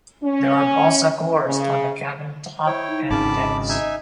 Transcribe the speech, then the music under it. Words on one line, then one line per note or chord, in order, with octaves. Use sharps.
There are balsa cores on the cabin top and decks.
C#4
C#3
E4 C5 C#5 G5
D#4
G#1 C#3 A5 B5 D6
D#5
D#4 E5 G#5